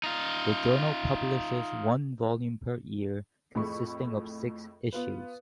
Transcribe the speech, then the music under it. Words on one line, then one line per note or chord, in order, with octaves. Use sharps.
The journal publishes one volume per year, consisting of six issues.
D#4 F4
F2 A2 G#4 B5 C#6
B3 F4 B4